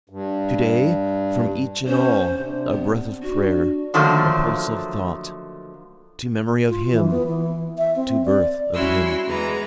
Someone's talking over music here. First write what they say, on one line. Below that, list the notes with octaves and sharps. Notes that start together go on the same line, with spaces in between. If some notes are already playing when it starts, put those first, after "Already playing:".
To-day, from each and all, a breath of prayer--a pulse of thought, To memory of Him--to birth of Him.
G2
B3 C#4 C5
C3 C4 D4
B3
D4 F#4
D3 D#3 F3 F#3 A3 A#3
F4
E3
B3
E3
E5
C4
D5
G3 C#4 E4 F#4 C6 E6
E2 E3 G#3 B4 A#5